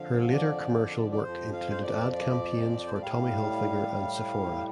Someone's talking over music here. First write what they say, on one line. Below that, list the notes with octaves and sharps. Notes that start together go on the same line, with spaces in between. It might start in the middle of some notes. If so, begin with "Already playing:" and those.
Her later commercial work included ad campaigns for Tommy Hilfiger and Sephora.
Already playing: F2 D3 F3 F5
D5
D5
F2 F3 C5
F5
C5
D5
D5
C5
D5
A2 G3 F5